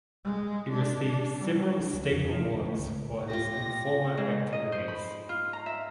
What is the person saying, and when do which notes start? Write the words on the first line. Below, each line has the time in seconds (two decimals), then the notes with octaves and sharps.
He received several state awards for his informer activities.
0.24 G#3
0.70 D4
1.38 G3
1.80 D4
1.94 C#2
2.11 F2
2.29 F3
2.50 D2
2.66 A2
2.79 C#2
3.30 F4 G4 A#6
4.17 G#2
4.53 D#5
4.72 C5
4.88 B5
5.29 F4
5.53 A#5
5.66 E5